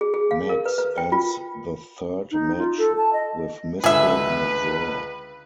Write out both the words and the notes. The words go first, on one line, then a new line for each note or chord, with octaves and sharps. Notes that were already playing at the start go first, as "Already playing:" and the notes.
Max ends the third match with Mystel in a draw.
G#4
G#4
F5
A#4
B4
B4
G5
F4
D#4
F4
A4
A5
D#5
C#2 D3 G#4 B4 E5